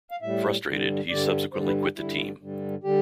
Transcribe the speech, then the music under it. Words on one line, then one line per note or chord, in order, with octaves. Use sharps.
Frustrated, he subsequently quit the team.
F5
A2 G3 E5
G2 D3 G3
G2 D3 G3 D5
G2 D3 G3 C5
B4
G4
G2 D3 G3 E4
G2 D3 G3
D3 G3 G4